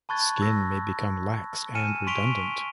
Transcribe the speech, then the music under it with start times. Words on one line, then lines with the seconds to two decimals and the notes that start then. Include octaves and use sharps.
Skin may become lax and redundant.
0.09 A5 B5 C#6 F#6 G#6 A6
0.42 E6 A#6
1.75 G#5 F6 C#7 D#7 E7
2.07 C6 C#6 B6 D7 F7 G7